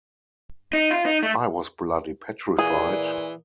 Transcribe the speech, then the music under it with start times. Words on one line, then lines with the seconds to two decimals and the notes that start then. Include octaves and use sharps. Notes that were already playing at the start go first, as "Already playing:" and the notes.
I was bloody petrified.
0.73 D#4
0.91 F4
1.06 D#4
1.23 A3
2.59 A#2 E3 G#4